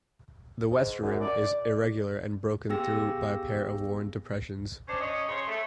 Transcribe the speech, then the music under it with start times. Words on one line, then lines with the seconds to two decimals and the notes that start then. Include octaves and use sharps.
The west rim is irregular and broken through by a pair of worn depressions.
0.70 G#2
1.02 F#2
1.21 D5
2.69 B3 G4 G#4 G5 E6 A#6
4.88 C#4 D4 C5
5.01 C#4 C#5 D#5
5.29 C#3 C5 C#5
5.47 A3